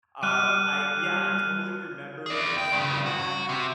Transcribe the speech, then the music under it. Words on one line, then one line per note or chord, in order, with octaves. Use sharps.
um, I yeah, I totally remember seeing that,
G3 F6 F#6 D#7
G#4 D5
G5
G2 C#3
F#4
C3